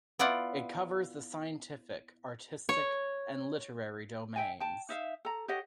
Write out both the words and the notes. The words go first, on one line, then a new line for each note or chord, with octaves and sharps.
It covers the scientific, artistic and literary domains.
B3 E4 F4 D5 F#5
C#5
E5 G5 G#5
G5 A5
D#4 E5 F5
A4 A#5
G4 C#5 D#5 F#5